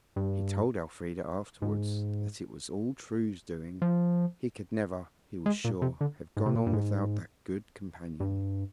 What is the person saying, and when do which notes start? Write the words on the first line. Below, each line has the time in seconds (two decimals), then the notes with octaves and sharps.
He told Elfrida afterwards that it was all True's doing; he could never, he was sure, have gone on without that good companion.
0.16 G2
1.62 G#2
3.82 F3
5.46 G#3
5.64 A#2
5.82 C3
6.01 D3
6.37 G#2
6.46 C3
6.55 A#2
6.67 G2
6.73 G#2
8.20 G2